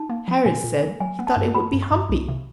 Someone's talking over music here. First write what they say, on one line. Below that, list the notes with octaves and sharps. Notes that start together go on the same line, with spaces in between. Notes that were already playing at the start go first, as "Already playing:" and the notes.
Harris said he thought it would be humpy.
Already playing: D#4 A5
A#3
F3
A#2 G#5
A#2
A#3
F#3 G#5
B3
A5
G2
B3 B5
G2
C#6
G2
C2
C3